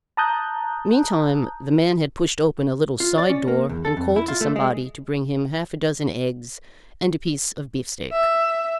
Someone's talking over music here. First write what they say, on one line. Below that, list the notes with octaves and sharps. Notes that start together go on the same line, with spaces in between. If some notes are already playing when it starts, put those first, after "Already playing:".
Meantime the man had pushed open a little side door and called to somebody to bring him half a dozen eggs and a piece of beefsteak.
A5 A#5 D#6 F#6 G6
F4
D5
C#4
A#3
E2
A4
F2
E4
F4
A3
G#3
E5